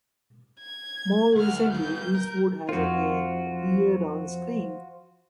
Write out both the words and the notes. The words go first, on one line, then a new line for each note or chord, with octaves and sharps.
More recently, Eastwood has again appeared onscreen.
G#6
D2 F#5 F6
G3 B3 G6
A#4
F2 F3 D#4 F4 F#4